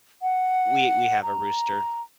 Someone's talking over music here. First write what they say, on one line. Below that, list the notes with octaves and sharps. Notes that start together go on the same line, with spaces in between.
We we have a rooster.
F#5
A#5